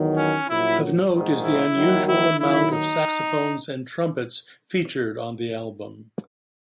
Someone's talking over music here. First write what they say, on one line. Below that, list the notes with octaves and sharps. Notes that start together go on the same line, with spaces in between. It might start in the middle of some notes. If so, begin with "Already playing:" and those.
Of note is the unusual amount of saxophones and trumpets featured on the album.
Already playing: E2 D#3 F#3
C#4
A#1 A#2 F#3 E4
A#1 G#2 D#3
E4
D#2 D#3 F#3
E4
D#2 D#3 F#3 E4
D#4